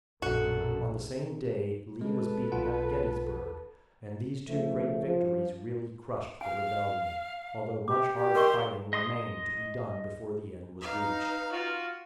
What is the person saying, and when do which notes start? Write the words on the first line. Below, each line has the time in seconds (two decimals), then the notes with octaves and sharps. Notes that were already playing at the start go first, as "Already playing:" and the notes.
On the same day Lee was beaten at Gettysburg, and these two great victories really crushed the Rebellion, although much hard fighting remained to be done before the end was reached.
0.22 A#1 F#2 B2 F#4 A4
2.01 G#3 A4 B4
2.52 B1 F4 F#5
4.47 C#3 F3 A3
5.05 F3
6.41 F5 G#5
7.88 G4 D6
8.16 G4
8.35 A#4 D#5 C6 C#6
8.93 D#5 C6 D#6
10.82 D#4 B4 F5
11.52 F4 F#4